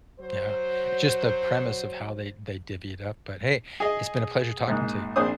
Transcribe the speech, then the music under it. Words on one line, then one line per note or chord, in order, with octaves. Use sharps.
yeah, it's just the premise of how they they divvy it up, but, hey, it's been a pleasure talking to you.
F#3 C5
G#4 D#5
A#1 G#2
A#1 C4 D4 G#4 C5 D#6